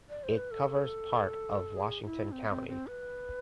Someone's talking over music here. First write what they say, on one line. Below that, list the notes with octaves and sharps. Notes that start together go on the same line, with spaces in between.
It covers part of Washington County.
D5
C5
B4
A4
G#4
E4
C4
C4
C4
B4